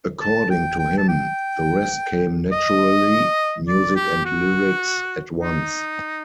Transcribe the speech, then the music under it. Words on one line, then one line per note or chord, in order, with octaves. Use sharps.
According to him, "the rest came naturally, music and lyrics at once".
A5
G5
G5
A5
G5
D#5
D5
G4
F#4
D#4